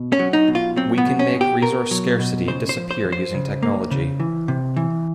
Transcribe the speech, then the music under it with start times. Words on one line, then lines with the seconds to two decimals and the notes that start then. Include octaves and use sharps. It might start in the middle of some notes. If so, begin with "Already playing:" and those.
We can make resource scarcity disappear using technology.
Already playing: B2
0.12 C#4
0.19 F#3
0.33 D#4
0.48 B2
0.55 F4
0.76 F#3 C4
0.98 B3
1.05 B2
1.19 C#4
1.34 B2
1.41 G4
1.62 B2 A#4
1.91 F#3
2.19 B2
2.48 C#3 C5
2.69 C5
2.77 F3
2.91 C5
3.05 F3
3.12 C5
3.34 C#3
3.63 A#3
3.91 C#3
4.20 E3
4.48 C3
4.77 E3